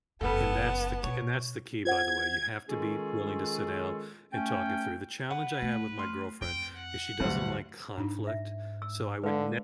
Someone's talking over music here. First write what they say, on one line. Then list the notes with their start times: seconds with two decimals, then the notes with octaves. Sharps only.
And that's the ke and that's the key, by the way, you have to be willing to sit down and talk it through, the challenge I have with my girlfriend is she doesn't like conflict, so I would never
0.21 F#1 F2 G3 B3 A4 A5
1.03 B2 C#5
1.85 F4 C5 F#5 G#6
2.68 D#3 G#3 C#4 F4 G#4 A4
4.33 A3 C#4 G5
5.30 B4 F#5
5.62 A3
5.99 C6 F6
6.42 F2 G5
6.76 F#5
7.20 D2 G2 F#3
7.98 G#2 D4 D#4
8.27 E5
8.82 E6
9.24 D3 G#3 B4 F5